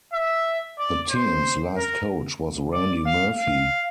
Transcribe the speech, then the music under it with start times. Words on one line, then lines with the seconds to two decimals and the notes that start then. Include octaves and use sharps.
The team's last coach was Randy Murphy.
0.13 E5
0.79 D5
1.10 C5
1.77 A#4
2.73 D5
3.06 F5
3.39 F5